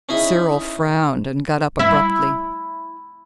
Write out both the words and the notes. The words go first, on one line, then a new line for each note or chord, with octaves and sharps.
Cyril frowned, and got up abruptly.
C#4 D#4 E4 G#4 E5
E4